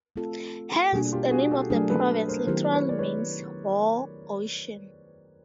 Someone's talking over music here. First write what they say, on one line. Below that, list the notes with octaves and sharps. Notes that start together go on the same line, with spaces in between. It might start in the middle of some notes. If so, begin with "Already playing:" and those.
Hence the name of the province literally means "war ocean".
A3 C4 F4 A4
B2 G3 A#3 D4 F#4 G#4
F4 G4
F#4 G#4
G4 A4
F#3 A3 D4 G#4 A#4
A4 B4
A#4 C5
D#3 F#3 B3 E4 G4 A#4 C5
B4 C#5
D5
B4 C#5